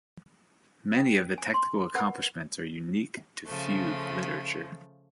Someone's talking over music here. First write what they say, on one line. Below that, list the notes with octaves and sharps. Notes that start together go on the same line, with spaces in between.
Many of the technical accomplishments are unique to fugue literature.
G5
G#5
C6
A#4 B4 F#5 B5
C#3 F3 A3